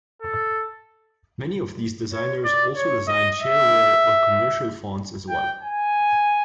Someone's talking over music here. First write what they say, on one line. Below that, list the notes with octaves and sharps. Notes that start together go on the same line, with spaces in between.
Many of these designers also design shareware or commercial fonts as well.
A4
C#5
D5
C#5
D#5
E5
G5
G#5